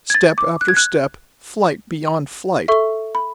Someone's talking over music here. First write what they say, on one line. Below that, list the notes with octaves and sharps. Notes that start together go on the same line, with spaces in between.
Step after step, flight beyond flight!
G#6
A6
D6
F#6
G#6
F#6
A4 E5 C#6
B5